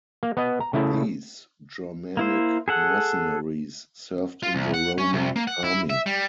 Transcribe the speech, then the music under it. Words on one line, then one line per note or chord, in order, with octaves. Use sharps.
These Germanic mercenaries served in the Roman army.
A#3
B3 B4 D#5
A#5
C#3 A3 E4
A#3 E4 C5
G#4 A4 F#5
F4
C2
F#5
C#4
C2
A#3
F#5
E4
E5
G3